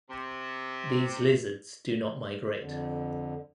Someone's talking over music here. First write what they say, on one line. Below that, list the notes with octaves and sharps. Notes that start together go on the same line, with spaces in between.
These lizards do not migrate.
C3
F2 D3